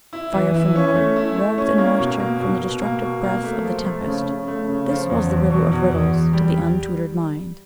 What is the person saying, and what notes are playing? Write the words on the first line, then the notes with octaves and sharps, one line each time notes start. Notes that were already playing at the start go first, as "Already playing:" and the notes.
Fire from water, warmth and moisture from the destructive breath of the tempest, this was the riddle of riddles to the untutored mind.
E4
E3
E4
C#4
A3
E4
A3
C#4
A#3
B2
A#3
B2
B2
A#3
B2
A#3
A3
F3
A3
C#3
C#3
A3
C#3
F3
E2
E2
B2
E2
E2
E2
G3